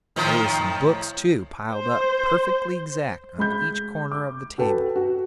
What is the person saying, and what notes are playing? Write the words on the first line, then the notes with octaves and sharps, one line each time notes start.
There was some books, too, piled up perfectly exact, on each corner of the table.
A2 D#3 F3
C5
G#3 B5 G6
D6
F#4 A4 B4 G5 A5
F#4